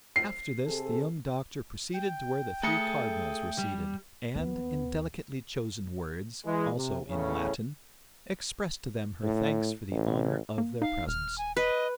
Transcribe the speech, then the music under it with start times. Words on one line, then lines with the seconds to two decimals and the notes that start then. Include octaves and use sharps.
After this the young doctor proceeded to where the three cardinals were seated, and in delicately chosen words, also in Latin, expressed to them her thanks for the honor of their presence.
0.16 C7
0.66 C3 G#4 A4
1.94 G5
2.63 A3 G#4 A4 C#7
3.58 G3
4.36 D#2 B3
6.44 E3 G#3
6.76 C3
7.07 E2 A2 C#3 C#4
9.23 A2
9.91 A1
10.58 A#3
10.82 D#4 F5
11.07 D#1 F6
11.38 G#5
11.57 B4 D#5